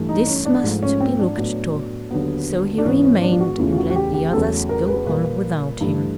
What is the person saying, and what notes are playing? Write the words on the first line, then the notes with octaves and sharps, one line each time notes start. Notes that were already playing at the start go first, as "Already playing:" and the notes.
"This must be looked to." So he remained, and let the others go on without him.
Already playing: G2 E3 A3
D#4
C#4
D4
G#2 F3 A3
C#4
C4
D4
A2 F#3 B3
D#2 D3 F#3 B3
D4
G#2 E3 G#3 B3 C#4
C#4
D4
F4
F#4
E2 C#3 E3 A3 F4
F4
F#4
F#4
G4
G4
E2 C#3 F#3 A3 A4
A#4
B4
A#2 G3 A#3 B4
G2 E3 A3